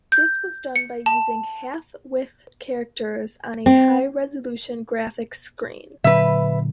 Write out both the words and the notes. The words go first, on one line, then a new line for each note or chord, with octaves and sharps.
This was done by using half-width characters on a high-resolution graphics screen.
G6
C#7
A5
C4
A#2 D3 F#3 B4 E5